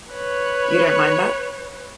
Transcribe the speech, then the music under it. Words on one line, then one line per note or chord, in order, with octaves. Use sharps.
You don't mind that?
B4 C#5